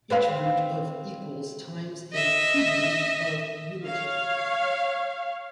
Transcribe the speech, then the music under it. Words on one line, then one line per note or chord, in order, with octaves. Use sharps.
Each root of equals times a cube root of unity.
C4 B4 F5
D#5 E5
C#5 F5